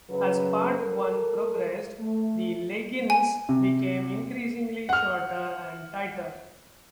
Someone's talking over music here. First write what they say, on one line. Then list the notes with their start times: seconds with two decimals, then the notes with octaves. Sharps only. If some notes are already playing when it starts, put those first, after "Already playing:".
As Part One progressed, the leggings became increasingly shorter and tighter.
0.10 F#2 C#3 F#3 B4
0.79 A4 A#4
2.00 A3
3.10 G#5
3.49 C3
4.89 F#5 F6